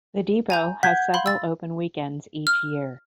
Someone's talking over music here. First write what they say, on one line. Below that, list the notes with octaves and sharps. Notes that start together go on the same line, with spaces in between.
The depot has several open weekends each year.
G#5 A#5 G6
F#5 G6 G#6 B6
F5 B5 C6
E6 A6
F6